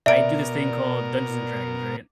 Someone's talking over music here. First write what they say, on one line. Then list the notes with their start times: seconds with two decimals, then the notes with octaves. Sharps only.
I do this thing called Dungeons and Dragons, right?
0.06 B2 A#4 D5 E5 D7